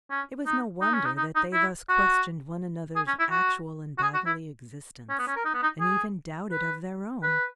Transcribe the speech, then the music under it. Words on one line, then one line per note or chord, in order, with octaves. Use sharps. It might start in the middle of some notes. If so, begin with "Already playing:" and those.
It was no wonder that they thus questioned one another's actual and bodily existence, and even doubted of their own.
C#4
D#4
D#4
C#4
D#4
D#4
D#4
E4
F#4
G#4
C#4
E4
F#4
F#4
G#4
F#4
E4
C#4
B3
C#4
A#4
D#4
B3
D#4
G#4
B4
B4